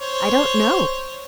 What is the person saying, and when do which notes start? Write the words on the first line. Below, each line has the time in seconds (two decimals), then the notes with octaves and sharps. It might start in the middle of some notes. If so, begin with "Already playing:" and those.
"I don't know."
0.01 C5 C#5